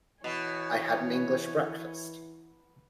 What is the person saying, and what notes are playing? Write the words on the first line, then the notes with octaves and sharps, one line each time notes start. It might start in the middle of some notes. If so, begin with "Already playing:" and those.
I had an English breakfast.
B2 E3 C#5 G#5